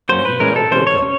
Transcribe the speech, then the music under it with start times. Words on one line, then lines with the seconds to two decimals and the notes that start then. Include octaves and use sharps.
The meeting now broke up.
0.09 F#3 A#3 C#4 C5
0.25 B4
0.40 E3 G#3 C#4 A#4
0.56 A4
0.71 E3 G#3 C#4 C5
0.87 C#5
1.02 C#4